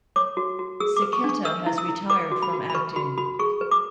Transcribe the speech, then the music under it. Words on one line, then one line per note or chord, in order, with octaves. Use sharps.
Siketa has retired from acting.
C#5 D6
F#4
F#4
G#4 E6
D6
B4
C#6
D4 C#6
B4 E6
E4
E6
E4
B4 D6
F#4
B5
F#4
B5
B4 C#6
F#4 B5
F#4 B5
G#4 C#6
B4
D6